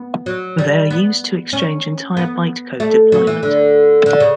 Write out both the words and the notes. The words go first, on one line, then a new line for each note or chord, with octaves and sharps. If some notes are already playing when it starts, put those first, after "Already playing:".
They are used to exchange entire byte-code deployment.
Already playing: B3
F#3
G3
B3
C#4
B3
A3
F#3
E3
D3
D3
C#3